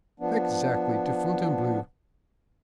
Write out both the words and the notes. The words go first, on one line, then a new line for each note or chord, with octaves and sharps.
"Exactly; to Fontainebleau."
F3 B3 D4